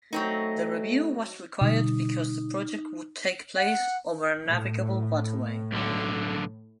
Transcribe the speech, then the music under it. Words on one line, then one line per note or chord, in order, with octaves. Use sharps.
The review was required because the project would take place over a navigable waterway.
F#3 A3 C4 D#4
B2 D3 G3 D#4
F#5
A2
B1 D3